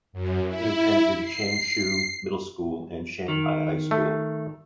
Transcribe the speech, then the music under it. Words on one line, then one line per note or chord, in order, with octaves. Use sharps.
He attended Changshu Middle School and Shanghai High School.
F#2
E4
C7
D#3
A3